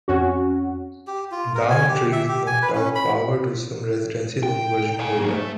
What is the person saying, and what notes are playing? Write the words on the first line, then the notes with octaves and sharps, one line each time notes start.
Downed trees knocked out power to some residences on Virgin Gorda.
F2 C#4 F#4
G4
F4
A#4
G#5
G4
E5
G4
G#5
B4
C#4
B5
G5
F5 G#5
F#3 A#3
A3